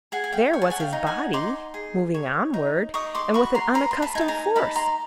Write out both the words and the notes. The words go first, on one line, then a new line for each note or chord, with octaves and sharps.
There was his body, moving onward, and with an unaccustomed force.
G#4 F#5 G#5
G#5
F5 G5
C#5 G#5
A5
F#5 G#5
F5 G5
D#4
F#5 G#5
D#4 C6 D6
G#4
C#5
D#4
D#4 C#6 D#6
C6 D6
F#4 B5 C#6
A#5 C6
B4 A#5 C6
C6
A5 B5
D#4 G#5
A5
G#5 A#5
D#4 A5 B5
A#5 C6